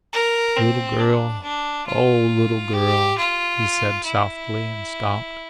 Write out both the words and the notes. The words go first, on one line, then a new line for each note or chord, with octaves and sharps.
"Little girl--oh, little girl," he said softly, and stopped.
A#4
C4
D4
D4
F4
G4
F4
E4